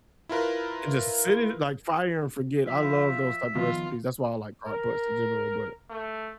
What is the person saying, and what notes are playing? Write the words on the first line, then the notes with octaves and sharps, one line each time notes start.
and, just, sit it like, fire and forget. I love those type of recipes. That's why I like crock pots in general, but
E4 F4 A#4 B4
F3 E5
D#3 F3 B3 F4
A#4
A3